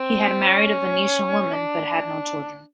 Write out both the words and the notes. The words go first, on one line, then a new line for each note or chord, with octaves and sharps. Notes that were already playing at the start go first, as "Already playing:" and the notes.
He had married a Venetian woman but had no children.
Already playing: C4
C#4
D4